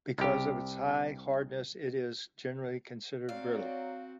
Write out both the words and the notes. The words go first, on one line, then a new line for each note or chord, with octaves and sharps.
Because of its high hardness, it is generally considered brittle.
C2 G4
F#3 C4 F#4 D5 F5